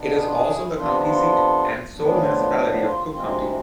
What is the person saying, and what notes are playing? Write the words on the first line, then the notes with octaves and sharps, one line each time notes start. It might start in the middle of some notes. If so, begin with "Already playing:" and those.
It is also the county seat and sole municipality of Cook County.
Already playing: B2 B3 D4
G#4
F4
E4 G#4
E4
C3 F3 B3 D4 F4
F4 A4
A2 F3 B3 D4
E4 G#4
F4
F4
E4
F4
D2 C3 G#3 C4 F4
F4
E4